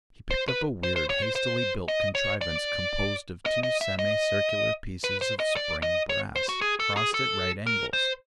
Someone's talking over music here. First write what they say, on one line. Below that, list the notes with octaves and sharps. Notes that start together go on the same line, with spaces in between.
He picked up a weird, hastily built contrivance composed of two semi-circular pieces of spring brass, crossed at right angles.
C5
B4
C5
C5
C#5
C5
C5
D#5
C#5
D5
D#5
D#5
E5
D#5
B4
C5
D#5
D5
D#5
C#5
C5
F#4
G#4
A4
G#4
A4
A#4
C5